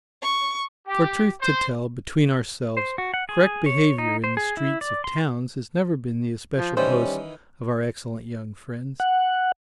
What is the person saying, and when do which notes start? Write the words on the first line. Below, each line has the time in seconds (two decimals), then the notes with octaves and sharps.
For truth to tell, between ourselves, correct behaviour in the streets of towns has never been the especial boast of our excellent young friends.
0.22 C#6
0.87 G4
1.41 C5
2.77 C5
2.98 F#4
3.14 F#5
3.29 G#4
3.66 C#5
3.98 D#4
4.24 C5
4.37 G#4
4.57 E4
4.81 D5
5.04 C6
6.58 F3
6.77 D#3 E3 G3 C#4 C5
9.00 F#5